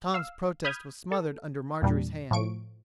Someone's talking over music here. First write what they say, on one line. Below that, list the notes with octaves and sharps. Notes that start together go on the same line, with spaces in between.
Tom's protest was smothered under Marjorie's hand.
F5 E6
B5 D#6 F6 G6 G#6
A4
E2 A#2 G3 D4
A2 F3 C#6 D7